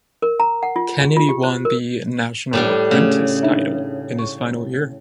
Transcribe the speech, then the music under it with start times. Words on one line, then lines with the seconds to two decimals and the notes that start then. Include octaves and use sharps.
Kennedy won the National Apprentice title in his final year.
0.22 A#4
0.40 A#5
0.63 F#5
0.76 F4
1.01 G#4
1.17 F4
1.29 G4
1.44 C5
1.65 A#4
2.53 A2 G3 D4
2.91 C#3 A3
3.43 D4 D#4 E5
4.19 C#6